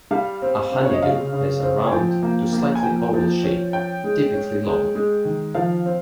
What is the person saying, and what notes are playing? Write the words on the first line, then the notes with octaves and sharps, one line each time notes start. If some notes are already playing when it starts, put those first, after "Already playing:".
A honeydew has a round to slightly oval shape, typically long.
G3 F5
C4
C4
C#5
D#5
C#3 F5
C#3
C4
G#5
F3 G5
A#3
A#3
G#5
F3 G5
F3
C#4
C#4 G5
G#3
C#4
G#3
G#3
D#3
F3 F5
C4